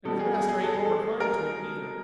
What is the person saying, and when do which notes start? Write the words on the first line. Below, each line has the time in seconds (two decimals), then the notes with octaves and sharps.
And his master ain't over kind to him either.
0.05 B2 G3 A4
0.19 G#4
0.34 G#4
0.48 G#4
0.63 A4
0.73 G#4
0.85 A4
1.20 A#4